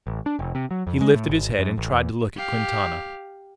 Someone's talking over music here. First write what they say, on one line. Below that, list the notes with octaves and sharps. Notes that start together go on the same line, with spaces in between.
He lifted his head and tried to look at Quintana.
A1
D4
F1
C3
F#3
F2
G#3
A2
G#1
F#2
A1
E2
G4 F5